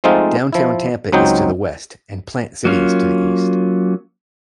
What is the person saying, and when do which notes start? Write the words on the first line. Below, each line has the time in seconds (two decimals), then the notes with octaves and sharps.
Downtown Tampa is to the west, and Plant City is to the east.
0.04 F3 G#3 A3 C4 D#4 F4
0.53 F3 E4
1.12 C#2 F#3 C4 D#4 G5
2.65 F#3 A#3 C#4 F4